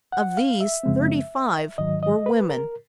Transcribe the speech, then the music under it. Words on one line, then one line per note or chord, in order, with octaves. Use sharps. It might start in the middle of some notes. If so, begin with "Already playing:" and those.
Of these thirty-five were women.
F#5
F5
E5
F#2 C#3 F3 G#3 C4
G#2 D#3 F#3 D#5
D#5
B4
A#4